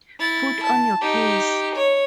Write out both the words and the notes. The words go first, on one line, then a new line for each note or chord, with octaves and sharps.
Put on your case.
E4 A6
A5
D#4 G4
C#5